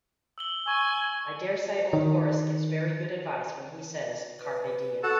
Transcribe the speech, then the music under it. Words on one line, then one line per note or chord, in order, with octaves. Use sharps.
I daresay old Horace gives very good advice when he says, carpe diem.
E6 F#7 G7
G#5 C#6 E6
D#3
B4
F#4 A4 A5